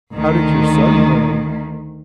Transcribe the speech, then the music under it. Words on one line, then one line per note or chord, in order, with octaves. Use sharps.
How did your son, uh,
D2 D#3